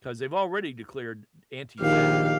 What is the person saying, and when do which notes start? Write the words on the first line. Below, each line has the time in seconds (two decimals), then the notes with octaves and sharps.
'Cause they've already declared Antifa,
1.81 A#1 D#3 G4 F5